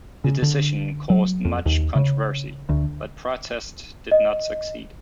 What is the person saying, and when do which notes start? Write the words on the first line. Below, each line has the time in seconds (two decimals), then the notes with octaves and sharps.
The decision caused much controversy, but protests did not succeed.
0.24 C#3
0.42 D3
1.10 F#3
1.45 F2
1.66 D#2
1.95 C#3
2.69 D2
4.11 D#5